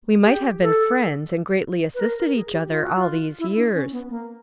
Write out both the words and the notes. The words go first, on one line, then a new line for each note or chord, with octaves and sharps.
We might have been friends and greatly assisted each other all these years.
G#4
G4
A4
B4
A#4
A#4
G#4
G4
F4
F#4
F4
E4
D4
C#4
B3
A#3